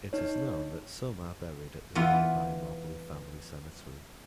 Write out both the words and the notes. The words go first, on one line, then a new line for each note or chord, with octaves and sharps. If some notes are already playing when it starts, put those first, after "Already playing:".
It is known that some are buried at the nearby Mobley family cemetery.
D#4 C#5
E3 B3 F4